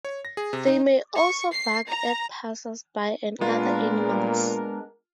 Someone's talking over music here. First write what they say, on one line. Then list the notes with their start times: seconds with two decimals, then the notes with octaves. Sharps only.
They may also bark at passers-by and other animals.
0.05 C#5
0.25 A#6
0.37 G#4
0.53 C3
0.67 D#4
1.17 C#6
1.53 C7
1.89 A#5
3.41 A#2 G#3 B3 D4 F4 A#4